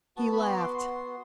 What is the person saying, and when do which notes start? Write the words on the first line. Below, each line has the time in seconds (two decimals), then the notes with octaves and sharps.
He laughed.
0.17 B3 F#4 A5
0.32 B5
0.48 C6
0.57 D6
0.64 C6
0.78 C6